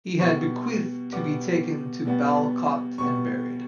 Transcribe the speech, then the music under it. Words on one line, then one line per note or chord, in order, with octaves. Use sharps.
He had bequeathed to be taken to Balakot and buried.
B2 G3 B3 C#6
B2 G3 B3 D6
B2 G3 B3
B2 G3 B3 C#6